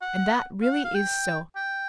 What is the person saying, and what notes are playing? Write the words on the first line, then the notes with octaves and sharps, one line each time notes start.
And that really is so.
F#5
F5
F#5
F5
G5
G5